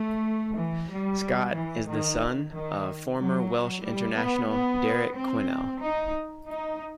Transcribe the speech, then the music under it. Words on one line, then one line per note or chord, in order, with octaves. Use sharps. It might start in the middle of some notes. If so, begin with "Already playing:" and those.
Scott is the son of former Welsh international Derek Quinnell.
Already playing: A3
E3
G3
E3
D#3
D#3
F#3
G3
B3
B3
C4
D#4
D#4